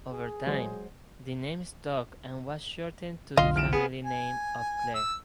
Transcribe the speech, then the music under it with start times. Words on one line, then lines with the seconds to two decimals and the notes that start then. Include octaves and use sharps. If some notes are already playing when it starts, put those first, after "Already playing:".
Over time, the name stuck and was shortened to the family name of Clair.
0.12 G#4
0.47 F#3 G#3 C5
3.37 F1 B1 D3 F4 D#5 C6
3.56 E2 F6 D7 E7
3.73 B3 G#4
4.05 G#5
4.95 E6